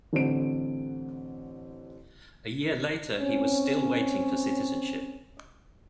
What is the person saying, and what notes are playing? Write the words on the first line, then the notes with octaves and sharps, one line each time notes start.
A year later he was still waiting for citizenship.
A1 D3 C4 D7
C4 C#4